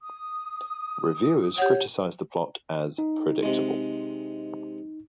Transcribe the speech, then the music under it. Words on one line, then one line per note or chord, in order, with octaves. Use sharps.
Reviewers criticized the plot as predictable.
D#6
G4 C#5 F#5
D#4
C3 G#3